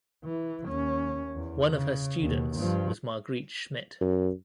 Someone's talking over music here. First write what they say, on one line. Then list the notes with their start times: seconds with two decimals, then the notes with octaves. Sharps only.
One of her students was Margrit Schmidt.
0.24 E3
0.67 D#2 C#4
1.36 E2
1.70 C#3
2.22 D#2 B2
2.56 G2 F3
4.01 F#2